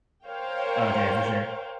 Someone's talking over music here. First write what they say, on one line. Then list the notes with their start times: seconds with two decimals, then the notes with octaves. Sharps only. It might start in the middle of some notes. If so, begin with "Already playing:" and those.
Okay, for sure.
0.24 A#4 C5 C#5 F5 G5